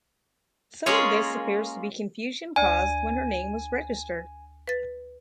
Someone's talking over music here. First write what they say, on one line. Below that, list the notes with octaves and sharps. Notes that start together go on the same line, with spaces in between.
Some of this appears to be confusion caused when her name was registered.
G#3 A#3 C#4 F4 G#4 C#5
D2 D5 G#5
B4 A6